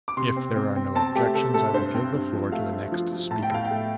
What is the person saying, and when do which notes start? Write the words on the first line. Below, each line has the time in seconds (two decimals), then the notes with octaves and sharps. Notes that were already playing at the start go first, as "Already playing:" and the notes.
If there are no objections, I will give the floor to the next speaker.
0.08 D6
0.17 C3 C6
0.36 C4
0.56 C4
0.76 C4
0.95 C4 A5
1.15 A3 G4
1.35 C3 A4
1.54 A3 A4
1.74 G2 C5
1.94 C4
2.14 G2
2.33 F3
2.52 A3 F5
2.73 A3
2.92 F3
3.12 F3
3.31 A2 A5
3.43 G5
3.51 A2 F5
3.65 G5
3.71 A3